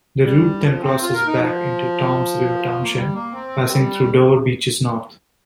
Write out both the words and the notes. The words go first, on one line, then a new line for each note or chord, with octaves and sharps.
The route then crosses back into Toms River Township, passing through Dover Beaches North.
G3
F3
C4
F4
A#4
D#4
F3
A#3
G3
A#3
C4
G3